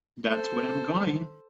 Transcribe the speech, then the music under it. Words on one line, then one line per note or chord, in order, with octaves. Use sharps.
That's where I'm going.
A4 C5